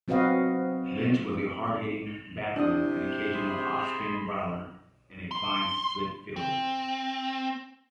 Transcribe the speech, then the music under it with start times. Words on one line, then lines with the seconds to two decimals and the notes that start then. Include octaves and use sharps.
Lynch was a hard-hitting batsman, an occasional off-spin bowler and a fine slip fielder.
0.08 F#3 C4 F#4 B4 D#5 F5
2.56 C3 D4 E4 D#6
3.34 G#4 B5 C6
5.31 C6
6.36 C4